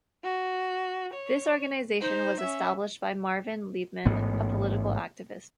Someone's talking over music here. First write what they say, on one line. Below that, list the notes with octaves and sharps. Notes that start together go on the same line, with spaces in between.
This organization was established by Marvin Liebman, a political activist.
F#4
C#5
D#4 C5
C#4 E5
A1 G#2 B3